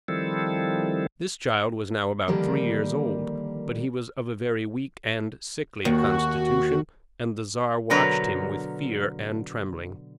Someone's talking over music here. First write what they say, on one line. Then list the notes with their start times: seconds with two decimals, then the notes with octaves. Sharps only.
This child was now about three years old, but he was of a very weak and sickly constitution, and the Czar watched him with fear and trembling.
0.08 D#3 F3 G3 C4 E4 A4
2.28 D3 D#3 F3 G3 A#3
5.85 D#2 F#4
7.90 B2 D3 F#3 A#4 B4